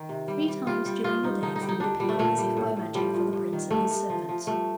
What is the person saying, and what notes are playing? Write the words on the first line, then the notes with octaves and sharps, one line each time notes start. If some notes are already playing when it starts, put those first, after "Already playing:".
Three times during the day food appeared, as if by magic, for the prince and his servants.
Already playing: D#3
C3
G3
G3
G3 F4
G3
G2 F4
G2 D#4
D3 D#4
D#4
G3
D#4
G3 D4
A#2 G3
A3
A#2 A3
G3
A2
A2
F3 G3
F3
G2
D#3
G2 A3
G2
F3
F3
G2 A3